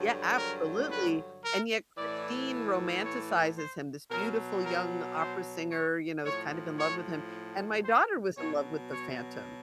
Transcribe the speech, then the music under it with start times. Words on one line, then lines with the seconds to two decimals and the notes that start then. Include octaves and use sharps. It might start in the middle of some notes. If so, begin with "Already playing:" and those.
Yeah, absolutely! And yet Christine romanticizes him, this beautiful young opera singer, you know, is kind of in love with him. And my daughter was in love with the Phantom,
Already playing: G2 D3 F#3
0.37 A#4
0.91 B4
1.44 A#4
1.97 A2 E3 D5
3.04 C#5
3.57 C5
4.10 B2 F#3 A#4
4.65 A#4
5.18 C5
5.71 C#5
6.24 A2 F3 C#5
6.78 C#5
7.85 C5
8.37 B2 F#3 C#5
8.91 C#5